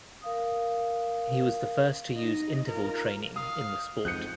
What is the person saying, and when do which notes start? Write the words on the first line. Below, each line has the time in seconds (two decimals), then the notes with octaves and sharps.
He was the first to use interval training in the sport.
0.22 A#4 F5 D#6
2.16 D#4 D#5
2.68 F4 A#4
3.36 F5 D#6
4.05 F2 G#2 D#6 F#6 G6 C#7